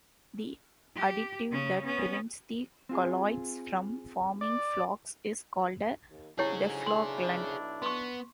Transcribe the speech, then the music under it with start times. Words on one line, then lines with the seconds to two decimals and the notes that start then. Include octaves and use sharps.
The additive that prevents the colloids from forming flocs is called a deflocculant.
0.96 G4
1.52 C#3 C#4
1.85 B3 C#4
2.89 C4 F4 G#4
4.41 D5
6.09 D#2
6.39 G#2 D3 F#3 C#4 E4 G4 G#4 C#5
6.86 B1 D4 E4 C6
7.82 B3 C6 C#6